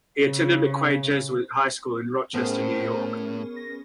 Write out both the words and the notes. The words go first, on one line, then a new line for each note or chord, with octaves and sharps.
He attended McQuaid Jesuit High School in Rochester, New York.
C#3
A2 B3 C#4 G#4 A#4 C5
A#6